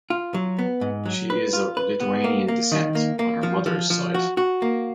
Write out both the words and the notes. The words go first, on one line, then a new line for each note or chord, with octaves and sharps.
She is of Lithuanian descent on her mother's side.
F4
F#3
B3
G#2
F#3
B4
F4
B4
B3
A#3
A#3
D#3
A#3
A#3
F3
F3
F3
F#4
F#4
A#3